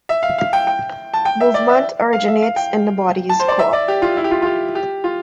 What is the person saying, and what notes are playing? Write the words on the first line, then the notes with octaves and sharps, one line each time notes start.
Movement originates in the body's core.
E5
F5
F5
G5
G5
A5
G5
E5
D5
E5
F5
E5
F5
G5
A5
C5
D5
E5
D5
G4
F4
E4
G4
F4
F4
G4
G4
F4